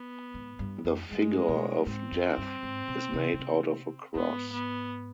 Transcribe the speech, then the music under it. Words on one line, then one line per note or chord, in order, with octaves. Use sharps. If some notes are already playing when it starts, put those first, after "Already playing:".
The figure of Death is made out of a cross.
Already playing: B3
G#2
G2
F2
G2 G#3
B2
G#2 C4
F2
G2
G#2
B2
C3
B2
C3
G#2 B3
B3